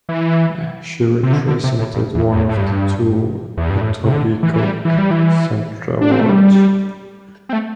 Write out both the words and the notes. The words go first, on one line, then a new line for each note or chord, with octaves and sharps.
She represented one of the two Etobicoke Centre wards.
E3
C3
D3
D3
C3
A2
G2
E2
G2
E2
A2
G2
E2
G2
A2
C3
D3
E3
E3
G3
E3
G3
E3
D4
C4
A3
G3
C4
A3